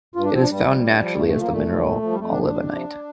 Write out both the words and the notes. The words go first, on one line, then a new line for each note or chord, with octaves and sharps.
It is found naturally as the mineral olivenite.
G2 F4
D4
F3 C4
D4
G2 G3
F3
G2
F3
G2 A3
A3
F3
A#3
A#2 A3
F3
A#2
F3
G3
F2 A3
D4
C3 F3
D4
F2
C3 F3